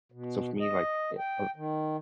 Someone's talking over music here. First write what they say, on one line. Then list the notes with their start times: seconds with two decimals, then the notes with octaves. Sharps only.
So for me, like, yeah, uh
0.12 B2
0.60 D#5
1.18 G5
1.56 D#3